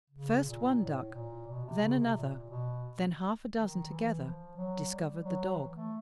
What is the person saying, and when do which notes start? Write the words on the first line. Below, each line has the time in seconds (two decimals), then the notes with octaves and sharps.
First one duck, then another, then half a dozen together, discovered the dog.
0.10 C#3
0.45 A#2
0.78 A2
1.13 A#2
1.48 B2
1.65 C3
1.82 C#3
1.99 C3
2.16 A#2
2.50 B2
3.54 D#3
3.88 E3
4.21 F3
4.57 F#3
4.90 G3
5.24 F#3
5.59 E3
5.76 A3